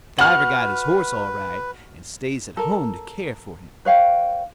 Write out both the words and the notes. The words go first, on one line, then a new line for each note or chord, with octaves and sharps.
Stiver got his horse all right, and stays at home to care for him.
F#4 B4 F6 F#7
A4 A#4
B4 C#5 F5 G5